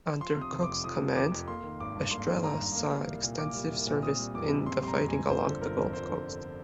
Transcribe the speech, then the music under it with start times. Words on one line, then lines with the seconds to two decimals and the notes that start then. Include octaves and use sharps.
Under Cooke's command, "Estrella" saw extensive service in the fighting along the Gulf Coast.
0.20 F3 C6
0.37 C3 D#6
0.53 F1
0.63 D6
0.69 F2
0.84 F3 D#6
1.00 C3
1.16 F1 D6
1.32 F2
1.48 A#3 C6
1.63 D#3
1.80 G#1 D6
1.96 G2
2.11 A#3 C6
2.27 D#3
2.43 G#1 A#5
2.59 G2
2.75 A#3
2.91 G3
3.07 C2
3.23 A#2
3.38 A#3 D6
3.55 G3
3.70 C2
3.87 A#2
4.02 C4 D#6
4.19 G3
4.35 F2 D6
4.50 C3
4.66 C4 C6
4.82 G3 C6
4.88 A#5
4.99 F2
5.08 G#5
5.14 C3
5.29 G1 C5
5.46 D3
5.61 G1 A#4
5.78 F2
5.93 G1 C5
6.09 D3